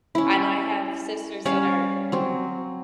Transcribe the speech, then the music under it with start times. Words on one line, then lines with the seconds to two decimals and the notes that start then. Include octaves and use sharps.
and I have sisters that are
0.15 C#4 E4
1.45 G3 C#4 C#5 F5
2.12 F#3 C4